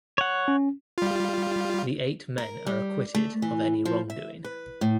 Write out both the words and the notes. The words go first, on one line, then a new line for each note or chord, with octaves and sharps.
The eight men are acquitted of any wrongdoing.
C#5 F#5
C#4
G3 F4
A#4
G3
A3
E3
F3
E5
B4
A2